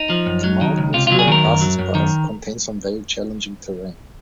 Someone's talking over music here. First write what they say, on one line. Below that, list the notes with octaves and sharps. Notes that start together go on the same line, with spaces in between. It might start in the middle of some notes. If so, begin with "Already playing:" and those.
The mountains around Arthur's Pass contain some very challenging terrain.
Already playing: D#4
F3
F#2
F#3
D#3
C#2
C3 F4
F#3 F4
G#4
D#3 A#4
F#2
F#3
F#2
D#3